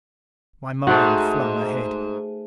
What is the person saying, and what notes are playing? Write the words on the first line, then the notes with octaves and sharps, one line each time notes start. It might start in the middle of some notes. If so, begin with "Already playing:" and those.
My mind flung ahead.
G#2 A3 F#4